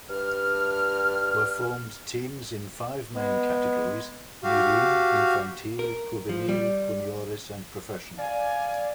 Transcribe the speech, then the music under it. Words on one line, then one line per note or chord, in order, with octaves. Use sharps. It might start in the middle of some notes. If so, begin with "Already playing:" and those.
Were formed teams in five main categories: Mirim, Infantil, Juvenil, Juniores and professional.
G2 F6
G#3 B3
F#4 G4 F5
A#4
F3
G3
D5 F5 G#5